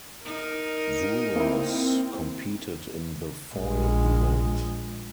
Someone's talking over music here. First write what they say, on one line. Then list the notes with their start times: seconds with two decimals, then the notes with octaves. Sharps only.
Vouros competed in the foil event.
0.21 D#4 A#4
1.36 A#3 C4 E4
3.55 A#1 G#3